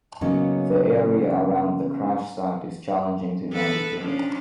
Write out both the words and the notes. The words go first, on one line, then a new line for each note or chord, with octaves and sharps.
The area around the crash site is challenging to navigate.
C#3 F#3 A#3 B3 C#4 D#4
B3 A4 B4
F3 C#4 D4